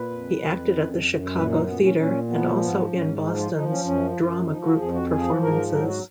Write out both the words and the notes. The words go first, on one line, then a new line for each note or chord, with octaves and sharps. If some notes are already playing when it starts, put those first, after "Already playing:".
He acted at the Chicago Theater and also in Boston's Drama Group performances.
Already playing: A#2 B4
F2
F2
F#2
F#2
A#2 B4
D#4
A#2 B3
C#4
A#2 C#4
F3 B3
G#2 B3
G#2 C#4
F3 D#4
F4
F3 D#4
C#4
F#2 C#4
F#2 F4
F3 D#4
F#4
F2 G#4
F#4
F3 G#4
G#2 A#4
F#3 A#4
F#4